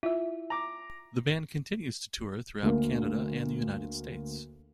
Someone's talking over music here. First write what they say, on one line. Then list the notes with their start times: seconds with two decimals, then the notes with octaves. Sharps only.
The band continues to tour throughout Canada and the United States.
0.03 E4 F4 E5
0.50 A#5 D6
2.63 D2 A#3